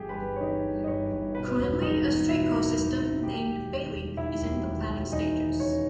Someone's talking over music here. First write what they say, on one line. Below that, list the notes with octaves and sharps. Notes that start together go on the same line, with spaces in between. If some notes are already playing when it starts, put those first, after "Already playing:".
Currently, a streetcar system, named 'Baylink' is in the planning stages.
Already playing: G1 G2 E3 G4 G#4 G5 G#5
B4 B5
G1
C#5
E3 D#4 D#5
G1
D#5
G2 C#5
G1
B2 B4
E1
E2 D#4 D#5
E1
B2 E4 E5
E1
E2
E1
D#3 G4 G5
E1
D#2
E1
D#3 E4 E5
E1
D#2
E1
E3 D#4 D#5
D#2
C#3 C#5